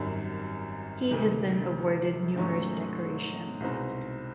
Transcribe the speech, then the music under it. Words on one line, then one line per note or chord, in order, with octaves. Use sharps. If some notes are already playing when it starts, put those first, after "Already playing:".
He has been awarded numerous decorations.
Already playing: G#1 F#2 D#3 G3
D2 C3 D#3 G#3
G#2 D#3 F#3 A3 C#4
C2 B2 G#3 C4 D#4